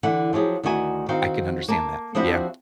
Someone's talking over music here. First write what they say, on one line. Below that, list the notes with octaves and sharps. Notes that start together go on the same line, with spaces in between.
I can understand that. Yeah.
D3 E3 F#5
F3 F#3 G4 G#4
D2 D#3 E4 F#4 G#5
D#3 C4 F#4 F5 G5
A#3 A5
F3 C4 D4 E4 F#4 G4